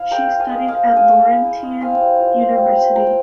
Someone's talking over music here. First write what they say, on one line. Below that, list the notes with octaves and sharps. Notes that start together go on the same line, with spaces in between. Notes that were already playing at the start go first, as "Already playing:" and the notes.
She studied at Laurentian University.
Already playing: E4 F5
G#3 G5 A#5
G#3
F5 G#5
G#3
G#3 F5 G#5
G#3
F5 G#5
G#3
E4
E4
G#3
C4 F5 G#5
G3
F4
C4
G3
C4
F4 G5 A#5